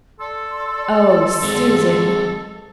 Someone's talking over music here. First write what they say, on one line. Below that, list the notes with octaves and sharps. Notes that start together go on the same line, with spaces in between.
"Oh, SUSAN!"
A4 D5 C6 E6
G#3 C4